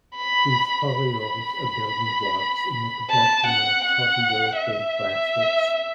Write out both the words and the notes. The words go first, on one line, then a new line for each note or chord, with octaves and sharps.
These polyols are building blocks in the production of polyurethane plastics.
B5
B5
A5
F#5
F#5
E5